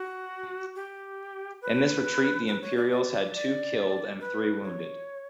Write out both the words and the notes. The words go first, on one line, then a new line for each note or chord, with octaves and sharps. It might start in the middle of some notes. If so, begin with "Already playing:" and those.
In this retreat the imperials had two killed and three wounded.
Already playing: F#4
G4
B4
B4
C#5
D5
D5
D5
D5
B4
C#5